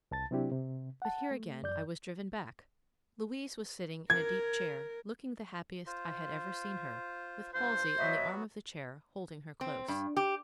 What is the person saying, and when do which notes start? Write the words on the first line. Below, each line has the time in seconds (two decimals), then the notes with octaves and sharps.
But here again I was driven back. Louise was sitting in a deep chair, looking the happiest I had ever seen her, with Halsey on the arm of the chair, holding her close.
0.11 C2 A5 A6
0.31 C3 F#3 C4 D4 E4 G4
0.51 C3
1.02 F#5 A5
1.31 A3
1.63 F#2 D5 G6
4.10 A#4 G#6
5.86 F4 C5
7.54 G2 F4 C5
7.98 F#3 B3 F#4 C#5 D#5 E5
9.61 C4
9.88 G2
10.17 G4